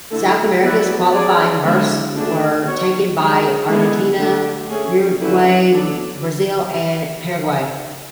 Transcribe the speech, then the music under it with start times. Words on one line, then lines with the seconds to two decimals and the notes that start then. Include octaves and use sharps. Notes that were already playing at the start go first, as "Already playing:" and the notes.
South America's qualifying berths were taken by Argentina, Uruguay, Brazil and Paraguay.
0.11 D3 A3 E4 A4
0.62 F#3 B3 E4 B4 D5
1.13 C#4 G#4 D5
1.64 D3 G#3 B3 E4
2.15 D3 A3 D4 G#4
2.67 B3 F#4 C#5
3.17 G#3 D4 G#4
3.68 D3 G#3 B3 E4 G#4
4.19 D3 A3 D4
4.70 A3 C#4 G#4
5.20 D3 F#3 C#4 E4 B4
5.72 B3 D4 A4